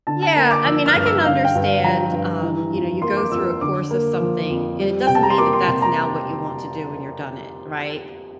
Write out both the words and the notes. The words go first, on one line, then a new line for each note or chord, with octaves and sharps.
Yeah, I mean, I can understand, um, you know, you go through a course of something, and it doesn't mean that that's now what you want to do when you're done it, right?
D3 A5
A5
A#3 A#5
D6
F3 E6
F6
G2
F6
E6
D3 F5
G5
G2
F5
F3 A#5
G2
E3
F2
A#3 C6
D6
F2 E6
D3 D6
A#3
F3
F2
G3
C3 G5
A5
A#5
C6
A#3 D6
C6
C3 C6
A#5